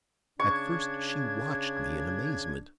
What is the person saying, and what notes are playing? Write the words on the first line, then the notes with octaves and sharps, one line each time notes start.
At first she watched me in amazement.
C#3 D4 C#6 G#6